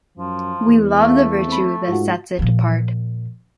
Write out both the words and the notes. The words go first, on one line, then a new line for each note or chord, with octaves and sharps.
We love the virtue that sets it apart.
F#2 F3
E2
A3 E5 F5
C4 B5
G#2 F4 F#4
A#2 F3